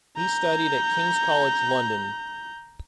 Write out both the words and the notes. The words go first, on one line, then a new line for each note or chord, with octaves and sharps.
He studied at King's College London.
A#5 G6